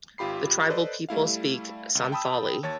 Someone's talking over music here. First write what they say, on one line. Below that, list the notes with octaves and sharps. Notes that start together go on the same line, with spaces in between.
The tribal people speak Santhali.
G#1 F4 G4 B5 C7
A4 B4 C5 D5 D#5
G3 A3 E4 F5
C#2
G5 A5 B5 D#6 E6
D#2 C#5 A5 A6